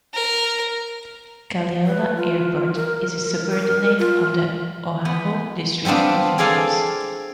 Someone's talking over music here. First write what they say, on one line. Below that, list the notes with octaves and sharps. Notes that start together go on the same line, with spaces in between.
Kalaeloa Airport is a subordinate of the Oahu District officials.
A#4
B4
F4
A#4
A#4
F4
B3
G3 B3 C4 D4 F4
C4 G#4 A4 D5 F5 G#5